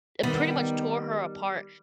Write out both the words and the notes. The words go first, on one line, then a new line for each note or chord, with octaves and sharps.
it pretty much tore her apart.
D#3 G3 B3